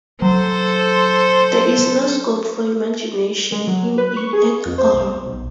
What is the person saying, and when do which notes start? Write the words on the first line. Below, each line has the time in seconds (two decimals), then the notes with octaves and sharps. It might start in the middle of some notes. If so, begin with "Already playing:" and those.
There is no scope for imagination in it at all.
0.22 F#3 A4 C5
3.52 G#3
3.67 F#3
3.98 B4
4.17 C#6
4.33 G#4
4.66 F2
4.78 C5
4.93 B1
5.25 B1